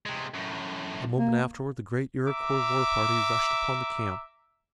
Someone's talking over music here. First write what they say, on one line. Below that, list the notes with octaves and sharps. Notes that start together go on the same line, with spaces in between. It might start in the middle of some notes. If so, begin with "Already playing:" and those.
A moment afterward the great Iroquois war-party rushed upon the camp.
C3 G#3
F#2 A2
A#3
E5 A#5 D6